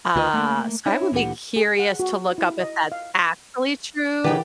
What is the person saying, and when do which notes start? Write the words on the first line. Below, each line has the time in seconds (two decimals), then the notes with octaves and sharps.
uh, so I would be curious to look up if that's actually true,
0.16 D2 F4 B4 D#5
0.34 A3 A#3
0.86 C#4 D#4 E4 C#5
1.12 D2 A#2 D3 E3 G4 F#5
1.56 G#4
1.79 F#5
2.00 F#4
2.38 E4
2.60 D#5
2.92 F5
4.24 C#3 E3 G4 A#4 B4 D5 F#5 G5